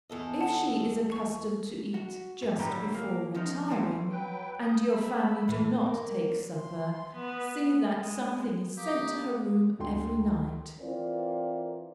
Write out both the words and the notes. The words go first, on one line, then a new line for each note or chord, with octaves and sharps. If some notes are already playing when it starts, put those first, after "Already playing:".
If she is accustomed to eat just before retiring, and your family do not take supper, see that something is sent to her room every night.
E2 A4 D#5
F#5 A5
C#6
F#4
G2
A2 D3 F#3 G3 G5 A#5
A#3
F3 C#4 D#4
C#2 E3 A3 C4 C#4
F#3 B4 G5
D#6 G6
B5 E6
A2 E3
A#3
C6
B3
G#3
A#3 G4 D#6
D2 A3 G5 C6
E3 C4 F4 A#4 D5